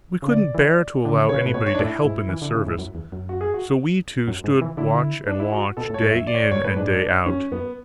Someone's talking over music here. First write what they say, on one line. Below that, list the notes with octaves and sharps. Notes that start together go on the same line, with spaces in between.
We couldn't bear to allow anybody to help in this service, so we two stood watch-and-watch, day in and day out.
C#3
D3 D5
E3
D3
C#3
D3
C#3 C#5
B4
A2
B2 C#5
C#5
D4
A2 E4
G#2
E3
D3
C#3
G#2
F#2
E2
F#2
F#4
G#4
F#4
F#2
G#2
E3
D3 E4
D4
E4
F#4
B2 A4
A2
C#5
G#2
F#2 E5
D5
C#5
D5
F#2 C#5
A2 B4
G#2 D4
F#2 C#4
F#2 B3